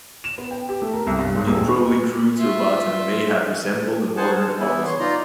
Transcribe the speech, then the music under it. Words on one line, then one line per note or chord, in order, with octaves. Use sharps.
It probably grew to about and may have resembled a modern opossum.
E7
B3
G5
G4
A3
A#4
C2
G2
G#2
D#1
F4 E5
G#4 C5 F#5 G#5 A5
G#3
E3 B3 E4
C#5 C6
D#4 F4 D5 A#5 C6